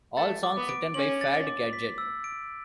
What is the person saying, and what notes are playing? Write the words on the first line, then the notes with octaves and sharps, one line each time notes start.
All songs written by Fad Gadget.
A3 A6
D6
B3
D7
C#4 F#7
A6
D6
B6
E6
D7